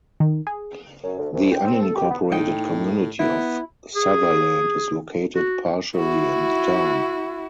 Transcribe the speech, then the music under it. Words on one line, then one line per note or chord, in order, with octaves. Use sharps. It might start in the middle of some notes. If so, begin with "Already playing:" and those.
The unincorporated community of Sutherland is located partially in the town.
D#3
G#4
F#2
D2
C2
G5
C4
A4
G4
B3
A2 D#4 G5
B3 E4
G#4
F#4
E4 F#4